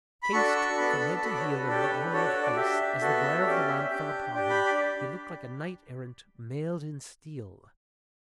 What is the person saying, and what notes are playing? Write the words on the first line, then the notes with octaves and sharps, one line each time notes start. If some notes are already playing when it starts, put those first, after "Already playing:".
Cased from head to heel in an armor of ice, as the glare of the lamp fell upon him, he looked like a knight-errant mailed in steel.
B5
D4 F#4 A4 C#6
C#6
B3 D4 A4 B5
A5
B3 F#4 A4 B5
D5
C#5
B4
D4 G4 A4
C#5
B4
D4 F#4 A4 C#5
C#5
D5
D4 G4 E5
B3 F#4 A4
C#5
C#4 G4 D5
E5
D4 G4 G5
D4 G4 G5
B5
D5